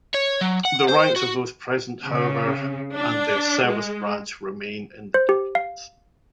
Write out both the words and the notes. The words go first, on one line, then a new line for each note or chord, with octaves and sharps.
The ranks of those present, however, and their service branch remain in the documents.
C#5
F#3
F#5
C5
F#4
C#3
D4
G#3
C5
G4
F5